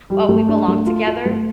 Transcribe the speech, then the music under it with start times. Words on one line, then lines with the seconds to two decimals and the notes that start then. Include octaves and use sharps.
uh, "We Belong Together"
0.10 G3
0.29 A3
0.49 D4
0.68 A3
0.86 F4
1.07 F4
1.26 A3